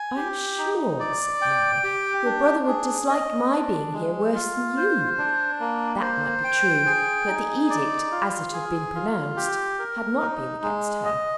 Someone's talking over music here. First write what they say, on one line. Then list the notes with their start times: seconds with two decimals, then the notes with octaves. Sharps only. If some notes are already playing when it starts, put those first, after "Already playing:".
"I am sure," said Mary, "your brother would dislike my being here worse than you." That might be true, but the edict, as it had been pronounced, had not been against her.
Already playing: G#5
0.16 G4
0.58 D#4
1.00 D5
1.42 G5
1.84 G4
2.25 D4
2.67 G#4
3.10 D#5
3.51 D4
3.93 G#3
4.35 F4
4.77 C5
5.18 D4
5.60 A#3
6.02 C5
6.44 G5
6.86 G#4
7.28 D#4
7.70 D5
8.12 F4
8.53 G#4
8.96 F4
9.37 G4
9.79 A#4
10.21 D#4
10.63 G#3
11.05 D#5